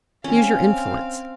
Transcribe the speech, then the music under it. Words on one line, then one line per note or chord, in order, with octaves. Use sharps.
Use your influence.
C4 C#4 F5